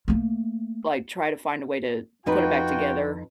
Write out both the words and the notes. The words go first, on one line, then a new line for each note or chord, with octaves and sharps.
Like, try to find a way to put it back together,
A3 A#3
F2 D#4 F4 F#4 B4 G5